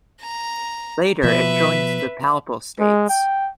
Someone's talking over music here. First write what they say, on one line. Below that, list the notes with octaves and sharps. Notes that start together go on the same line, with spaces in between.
Later it joined the Papal States.
A#5
B2 F3 B4 E5
G#3
G5